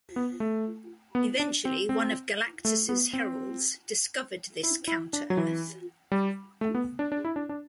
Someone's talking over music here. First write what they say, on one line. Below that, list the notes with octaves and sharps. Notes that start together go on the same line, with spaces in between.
Eventually, one of Galactus's Heralds discovered this Counter-Earth.
B3
A3
B3
D4
C4
C4
A3
B3
C4
E4
E4
D4
F#3
E3
G3
A3
B3
D4
D4
E4
D4
D4